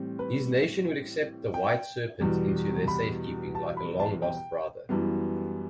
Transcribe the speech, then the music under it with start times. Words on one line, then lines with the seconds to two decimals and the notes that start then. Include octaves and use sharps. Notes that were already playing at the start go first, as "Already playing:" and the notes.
His nation would accept the "white serpent" into their safekeeping like a long-lost brother.
Already playing: A2 E3 G3 C4
0.19 B4
1.54 G5
2.20 E2 B2 G3
2.88 B5
3.55 A5
3.77 B5
3.99 A5
4.22 G5
4.89 F#2 E3 G3 B3